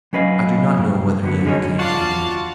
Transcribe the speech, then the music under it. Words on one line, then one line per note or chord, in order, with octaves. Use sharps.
I do not know whether he ever came from there.
F#3 C#4 B4 D#5 F5
G2
D3 F#3 B3
D3 G3 G#3 C#4 D#4 C#5
F4 F#4 D5 F5 A5